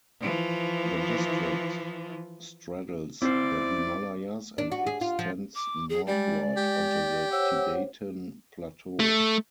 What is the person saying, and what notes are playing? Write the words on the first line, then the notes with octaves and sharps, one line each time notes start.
The district straddles the Himalayas and extends northward onto the Tibetan plateau.
E3 F3
C4 E4 C5 D5
D4
F#4
G#4
F4
F3
D6
G#4
G3 G#3 D5
G4
C5 C#5 F#5 E6
A3